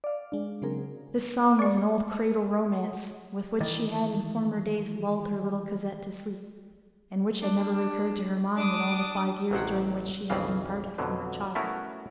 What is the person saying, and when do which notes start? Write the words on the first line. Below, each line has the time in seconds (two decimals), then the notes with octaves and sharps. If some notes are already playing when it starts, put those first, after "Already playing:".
This song was an old cradle romance with which she had, in former days, lulled her little Cosette to sleep, and which had never recurred to her mind in all the five years during which she had been parted from her child.
0.04 D5 F5
0.32 G#3 D4
0.62 C#3 F#3 C4 G#4 A#4
1.59 D5 C#6
3.60 D#3 E3 D5 D#5
7.42 D4
8.57 D4 D6 D#6
9.51 A1 C3 F#3 C#4 C5 F#5
10.30 B1 F2 C#3 E3 F5
10.98 F2 B2 D3 F#3
11.55 A3 B3 C#4 E4 F#4 A#4